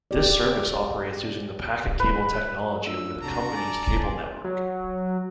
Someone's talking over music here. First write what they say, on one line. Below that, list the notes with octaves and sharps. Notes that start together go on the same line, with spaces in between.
This service operates using the PacketCable technology over the company's cable network.
G4 D5
B4
A3 D4 F4 E6
C3 D4 F#4 A4 A#5
D5 G#5
G#5 C6
F#3